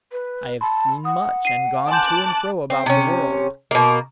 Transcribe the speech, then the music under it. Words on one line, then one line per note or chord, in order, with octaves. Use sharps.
I have seen much, and gone to and fro about the world.
B4
A5 B5 C6
F#5 D#6
C7 D#7
G#5 A5 C6 D6 F#6 G6
C4
C3 C#4
B2 A#3